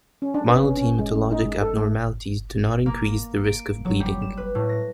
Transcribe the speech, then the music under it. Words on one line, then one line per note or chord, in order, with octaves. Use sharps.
Mild hematologic abnormalities do not increase the risk of bleeding.
C#4
D4
B4
C#4
C#4
G#3
C#4
D#4
G#3
A4
A3
A#3
D7
F#3
G3
E7
B4
A2
A#6